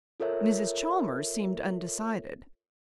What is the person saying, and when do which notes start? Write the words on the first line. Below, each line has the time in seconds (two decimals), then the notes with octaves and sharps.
Mrs. Chalmers seemed undecided.
0.20 F4 A4 A#4 C#5 E5